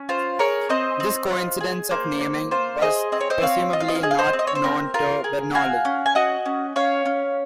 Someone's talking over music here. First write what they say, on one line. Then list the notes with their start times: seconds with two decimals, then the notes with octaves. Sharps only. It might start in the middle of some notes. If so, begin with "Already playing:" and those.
This coincidence of naming was presumably not known to Bernoulli.
Already playing: C#4
0.09 F4 C5
0.39 G#4 A#4 C#5
0.69 C4 C5 D#5
1.00 C4
1.31 F4
1.61 G#4
1.91 A#3 C5
2.21 A#3
2.51 F4 C5
2.82 G#4 C5 D#5
3.12 C4 D#5
3.20 C#5
3.30 C5 D#5
3.42 C4 C#5 F5
3.73 F4 D#5
3.80 F5
3.88 D#5
3.95 F5
4.03 G#4 D#5
4.11 F5
4.18 C5 D#5
4.33 C4
4.39 D#5
4.47 C#5
4.55 C5
4.64 C4 A#4
4.94 F4 A#4
5.24 G#4
5.54 F#4 F5 G#5
5.85 C#4
6.06 G#5
6.15 F#4 D#5 F#5
6.46 C#4
6.76 C#4 C#5 F5
7.05 C#4